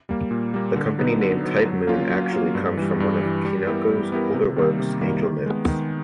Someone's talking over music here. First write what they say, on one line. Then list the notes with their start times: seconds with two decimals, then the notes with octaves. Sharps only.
The company name Type-Moon actually comes from one of Kinoko's older works, "Angel Notes".
0.09 G3 A#3
0.31 A#2
0.54 G3 A#3
0.76 D3
0.98 F#3 B3 D#4
1.21 D3
1.43 F#3 B3 D#4
1.65 F#3
1.87 A#3 C#4 F4
2.10 F#3
2.33 A#3 C#4 F4
2.55 G2
2.77 E3 G3
3.00 G2
3.22 E3 G3
3.45 G3
3.67 B3 E4 G4 A#4
3.89 G3
4.12 B3 E4 G4 A#4
4.34 C3
4.56 D#3 G3 A#3
4.79 C3
5.01 D#3 G3 A#3
5.23 D#3
5.46 G#3 B3
5.68 D#3